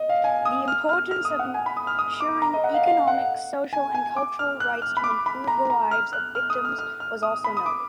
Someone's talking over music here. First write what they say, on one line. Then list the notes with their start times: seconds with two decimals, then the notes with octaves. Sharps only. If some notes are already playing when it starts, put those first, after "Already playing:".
The importance of ensuring economic, social and cultural rights to improve the lives of victims was also noted.
Already playing: D#5
0.09 F5
0.24 G#5
0.45 D#6
0.68 F6
0.89 F6
1.11 F6
1.25 D#6
1.39 F#5
1.54 G#5
1.66 B5
1.77 D#6
1.87 F6
1.99 D#6
2.20 D6
2.42 A#5
2.53 D#5
2.64 F#5
2.74 F5
2.86 F5
3.08 F#5
3.73 G#5
3.95 G#5
4.16 D6
4.39 F6
4.60 F#6
4.82 F6
4.97 B5
5.04 D6
5.26 B5
5.48 A#5
5.70 A#5
5.91 F6
6.13 F#6
6.35 F6
6.50 D#6
6.65 F6
6.79 F6
7.00 F6
7.23 D#6
7.44 B5
7.57 D#6
7.66 D6